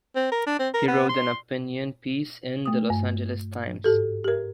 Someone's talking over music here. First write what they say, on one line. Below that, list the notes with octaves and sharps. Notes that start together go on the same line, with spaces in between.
He wrote an opinion piece in the "Los Angeles Times".
C4
A#4
D4
C4
A#4
B3
C6
A3 D#6
G2
G#2 G4 A4
G4 A#4